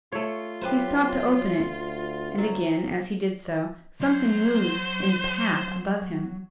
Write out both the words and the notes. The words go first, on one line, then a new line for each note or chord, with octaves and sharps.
He stopped to open it, and again, as he did so, something moved in the path above him.
A3 F4 C#5
F#3 G4 B4 C5
D2
F#3
F#3 C5